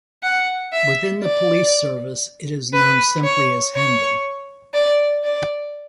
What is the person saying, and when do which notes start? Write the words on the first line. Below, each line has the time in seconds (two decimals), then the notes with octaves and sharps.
Within the police service it is known simply as "Hendon".
0.23 F#5
0.72 E5
1.23 D5
2.73 B4
3.23 C#5
3.75 C#5
4.74 D5
5.24 D5